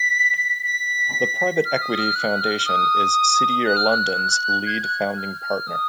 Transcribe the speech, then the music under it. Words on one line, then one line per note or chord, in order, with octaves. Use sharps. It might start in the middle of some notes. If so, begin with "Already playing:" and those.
The Private Equity Foundation is City Year London's Lead Founding Partner.
Already playing: B6
B6
F6
D#6
F6
F#6
F6
F6
D#6
F#6
F6
F#6
G#6
F#6
F6
F6
D#6